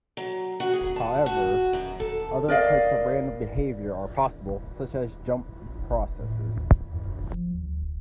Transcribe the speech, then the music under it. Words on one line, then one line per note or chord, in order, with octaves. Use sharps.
However, other types of random behaviour are possible, such as jump processes.
F#3
F#4
G#4
A5
F#4
F#2
A4
A#4 D5 D#5 F5
A#1
F#1
D#1
A2
D#2
F#2
F1
F3
D#2
D2
E1